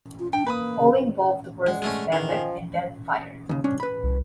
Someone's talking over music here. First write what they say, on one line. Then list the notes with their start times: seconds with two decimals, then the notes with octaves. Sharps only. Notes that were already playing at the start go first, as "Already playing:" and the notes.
All involved were suspended and then fired.
0.19 F4
0.33 D4 G5
0.46 A#3 B4 B5 D#6
0.79 C#3
1.67 G#3 G#4 D5 F#5
1.82 G#3 A3 C#4
2.12 D#3 E3
2.29 F3 D#5 G5 G#5
3.49 D#2 C#3
3.64 C2 C#4 D4
3.80 B4 B5
4.03 C2